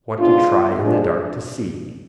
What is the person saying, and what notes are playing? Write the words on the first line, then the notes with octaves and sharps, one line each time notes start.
Want to try in the dark to see.
G#2 G#3 B3 D4 F4
C3 F3 G#3 D4